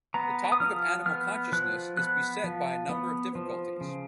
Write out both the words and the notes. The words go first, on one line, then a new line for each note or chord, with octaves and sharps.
The topic of animal consciousness is beset by a number of difficulties.
B3 A#5
D#6
F3 F6
B3 F6
F3 F#6
B3 F#6
F3
B3
F3
C#3